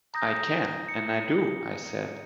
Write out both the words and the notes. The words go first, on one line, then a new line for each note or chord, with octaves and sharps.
"I can, and I do," I said.
A#5 D#6 G6 A#6
C#7